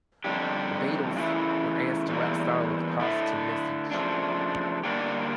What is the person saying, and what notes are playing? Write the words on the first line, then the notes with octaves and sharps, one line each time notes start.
The Beatles were asked to write a song with a positive message.
F2 D3 G3 D4 G4
C#3 E3 A3 E4
E2 E3 G3 A#3
D3 A3 E4
C#3 F3 A3 D4
D3 G3 A#3 D4 G4